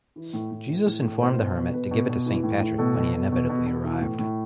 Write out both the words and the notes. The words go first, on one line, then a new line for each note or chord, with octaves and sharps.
Jesus informed the hermit to give it to Saint Patrick when he inevitably arrived.
E3
A2
A2
E3
A2
A2
B2 C5
B2
B2
B2 B4
B2
B2
E3
A2
A2
B2 A4
B2
B2
B2
B2
B2
E3
A2
A2